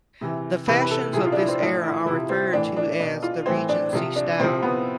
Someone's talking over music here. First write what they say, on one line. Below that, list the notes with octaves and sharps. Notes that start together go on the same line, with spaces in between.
The fashions of this era are referred to as the Regency style.
C3 E3
C3 E3 B4
B4
A4
C3 F3 G#4
F4
D4
E4
C4
A2 F3 D4
E4
C3 F3 E4
C4
A2 E3 D4
D4
B2 D4
F4
A2 E3 C4
D4
C3 F3
D4
C3 F3 C4
B3